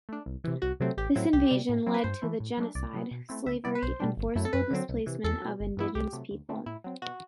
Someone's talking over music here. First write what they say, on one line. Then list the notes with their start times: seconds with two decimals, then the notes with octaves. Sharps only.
This invasion led to the genocide, slavery and forcible displacement of indigenous people.
0.09 A3 D4
0.26 C2
0.44 C3 E3
0.62 C2 F#4
0.80 C3 F#3 A3 C4
0.97 A1 G4
1.15 A2 F#3 C4 E4
1.33 C2 G4
1.50 C3 G3
1.69 A2
1.86 F#3 C4 E4
1.94 B4
2.04 G2 C5
2.22 E3 A3 E4
2.40 A2
2.57 F#3 A3 D4
2.75 C2 D5
2.93 C3 F#3 B3
3.11 B2
3.29 A3 C4 E4
3.46 D2 E5
3.64 C3 G3 B3 E4 D5
3.75 B4
3.82 B1 C5
4.00 B2 G3 D4
4.17 G1
4.35 F#2 F#3 A3 E4
4.45 A4
4.53 F#2 B4
4.71 D3 F#3 C4
4.89 C2
5.06 C3 E3
5.24 E2 A4
5.42 B2 F#3
5.60 G1
5.77 G2 E3 B3 E4
5.95 C2 G4
6.13 C3 F#3 A3
6.31 D2
6.49 D3 A3 C4
6.66 A2 E4
6.84 F#3 C4
7.02 B2 F#4